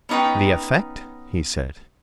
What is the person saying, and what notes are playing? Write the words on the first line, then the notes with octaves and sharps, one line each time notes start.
"The effect?" he said.
B3 C#4 D#4 B4 G5